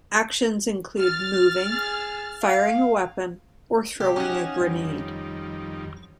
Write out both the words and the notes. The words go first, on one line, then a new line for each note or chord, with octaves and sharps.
Actions include moving, firing a weapon or throwing a grenade.
F6 A6
G#4
F5
C3 G3 G4
C#4 D#4 F#4 F5 G#5
F2 D#3 G3